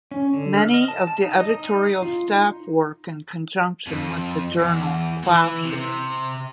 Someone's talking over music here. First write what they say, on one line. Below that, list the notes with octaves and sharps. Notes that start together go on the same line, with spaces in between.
Many of the editorial staff work in conjunction with the journal "Ploughshares".
C#4
D3
F6
D#5
A5
A5
D#4
D#5
D#4
F4
D#4
F2
E2
E3
C3